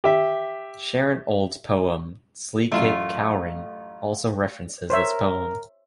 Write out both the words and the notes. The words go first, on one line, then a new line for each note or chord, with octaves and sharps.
Sharon Olds's poem "Sleekit Cowrin'" also references this poem.
G4 E5
A1 F#2 A3 F4
A#4 C5 C#5 E5